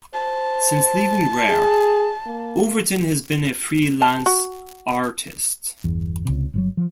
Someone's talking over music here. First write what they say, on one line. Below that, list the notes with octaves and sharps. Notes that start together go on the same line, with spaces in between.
Since leaving Rare, Overton has been a freelance artist.
C5 A5
G#4
A#3
A5
F#4
G1 E2
C#2 C3
G1 C#3 F#3
F3